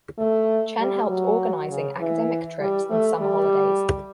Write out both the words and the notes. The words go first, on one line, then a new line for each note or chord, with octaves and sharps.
Chen helped organising academic trips in summer holidays.
A3
G3
F#3
C#3
E3
G3
A3
G3